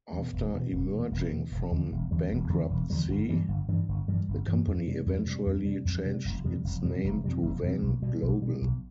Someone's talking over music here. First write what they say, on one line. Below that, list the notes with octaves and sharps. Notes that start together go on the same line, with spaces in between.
After emerging from bankruptcy, the company eventually changed its name to Wang Global.
E2 B2
E1
E2 B2
E1
E2 B2
E1
E2 B2
E1
E2 D3 G3
E1
E2 D3 G3
E1
E2 D3 G3
E1
E2 D3 G3
G1
G2 E3 G3
G1
G2 E3 G3
G1
G2 E3 G3
G1
G2 E3 G3
F2
C3 G3
F2
C3 G3
F2
C3 G3
F2
C3 G3
F1
F2 C3 G3
F1
F2 C3 G3
F1
F2 C3 G3
F1
F2 C3 G3
B1
B2 G3
B1
B2 G3
B1